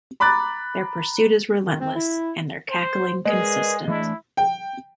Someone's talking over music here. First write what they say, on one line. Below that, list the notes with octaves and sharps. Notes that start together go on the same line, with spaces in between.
Their pursuit is relentless and their cackling consistent.
A#5 B5 D6 F#6 A6
D#3
C4
E4
C5
G#3 G#4 A#4 B4 D5
E3 A3 D4 E4
G5